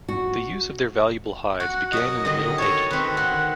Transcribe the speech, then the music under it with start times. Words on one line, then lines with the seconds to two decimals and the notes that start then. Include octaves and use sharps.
The use of their valuable hides began in the Middle Ages.
0.08 F#4
1.60 F#4 F#5
1.93 F#3 A#4 D#5
2.25 D3 D#3 D#5
2.58 A4 C#5 D#5
2.91 D#3 C4 B4
3.17 D#3 F#5